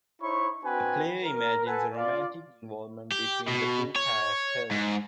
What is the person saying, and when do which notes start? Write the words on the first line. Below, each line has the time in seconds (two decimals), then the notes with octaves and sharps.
The play imagines a romantic involvement between the two characters.
0.21 D#4 E4 C5 C#5 B5 C#6
0.63 C4 D4 F#4 B4 G5 G#5
1.23 A#4
1.66 A4 B4 F#5 G#5
1.96 F4 D5
3.12 G4
3.48 B2
3.96 C#5
4.71 G#2